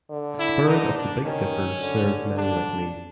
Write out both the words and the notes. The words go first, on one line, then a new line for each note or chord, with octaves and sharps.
The spirit of the Big Dipper served many like me.
D3
E4
D#4
D4
D#3 C#4
D3
D4